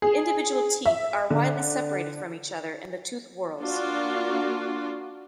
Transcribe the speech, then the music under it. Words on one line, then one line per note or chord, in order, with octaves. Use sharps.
The individual teeth are widely separated from each other in the tooth whorls.
G#4
E5
D3
A#3 D4 F4 F#4